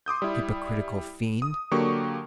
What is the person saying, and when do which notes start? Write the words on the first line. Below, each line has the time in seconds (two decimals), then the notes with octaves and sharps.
Hypocritical fiend!
0.06 C6 D6 D#6 G6
0.22 G3 E4
1.42 D#6
1.71 D3 F#3 A#3 G4 C#6